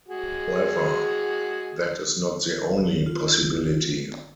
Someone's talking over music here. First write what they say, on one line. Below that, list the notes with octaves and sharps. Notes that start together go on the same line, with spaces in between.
However, that is not the only possibility.
G#3 F#4 G#4
F4